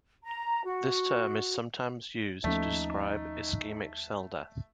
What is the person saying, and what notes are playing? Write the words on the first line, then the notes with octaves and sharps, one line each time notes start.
This term is sometimes used to describe Ischemic cell death.
A#5
F#4
D#2 F3 A3 C#4 D#4